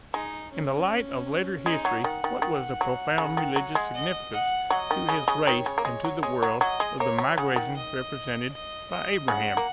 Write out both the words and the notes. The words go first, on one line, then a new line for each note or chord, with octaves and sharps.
In the light of later history what was the profound religious significance to his race and to the world, of the migration represented by Abraham?
G#3 D#4
C#4
G#3 D#4
F#3
D#3 F#5
D#3
D#3
F#3
C#3
D#3
F#3
G#3
D#5
F#5
F#3 D#5
D#3
C#3
C#3
D#3 C#5
C#3
A#3
G#3
F#3
G#3 C#5
F#3
F#3 D#5
G#3
A#3 C#5
F#3
C#3 F#5
D#3
D#5
D#5
D#5
C#3 F#5
A#3